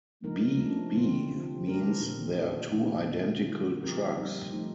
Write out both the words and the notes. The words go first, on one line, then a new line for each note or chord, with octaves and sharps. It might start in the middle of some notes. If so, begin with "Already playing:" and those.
"B-B" means there are two identical trucks.
F3 A#3 D#4 A#4
F3 A3 D4
D3 F3 C4 F4
C3 F3 C4
A3 D4 G4 A#4
A#2 F3 C4 F4 A#4
D#3 A3 D4 A4
A#2 A3 D4
D3 A3 D#4
D3 G3 A#3 F4
F3 C4 G4 A#4
G3 C4 D#4
F3 A3 D#4